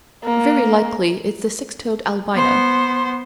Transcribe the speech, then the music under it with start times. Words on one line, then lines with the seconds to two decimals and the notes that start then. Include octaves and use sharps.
Very likely it's the six-toed albino.
0.24 A#3
2.34 B3 C5